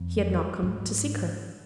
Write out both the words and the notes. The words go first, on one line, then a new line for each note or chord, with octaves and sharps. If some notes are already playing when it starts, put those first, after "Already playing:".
He had not come to seek her.
Already playing: F2
G#2